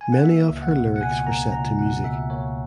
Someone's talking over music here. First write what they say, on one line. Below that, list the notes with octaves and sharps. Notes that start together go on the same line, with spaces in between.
Many of her lyrics were set to music.
G#5
F#5
A#3 E5
C#2
F#5
B2
F#5
C#2 G#5
A#3 A#5
C#2 A#5
B2 F#5
C#2 E5
A#3 C#5